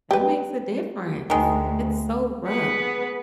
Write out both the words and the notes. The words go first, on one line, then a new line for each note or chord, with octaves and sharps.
That makes a difference. It's so rough.
G4 B4
D2 D#3 G#3
B3 G#4 B4 F#5